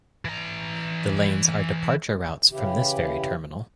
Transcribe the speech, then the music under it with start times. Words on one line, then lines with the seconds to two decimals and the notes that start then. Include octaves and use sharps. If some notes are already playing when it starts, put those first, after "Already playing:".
The lanes are departure routes from this ferry terminal.
0.25 E3 A#5
2.52 C#3 E3 E4 G4